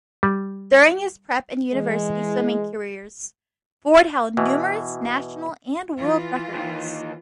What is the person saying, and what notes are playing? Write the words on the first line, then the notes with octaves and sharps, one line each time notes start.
During his prep and university swimming careers, Ford held numerous national and world records.
G3
E3 G#3
B2 E3
E3 F4
D#2 D#3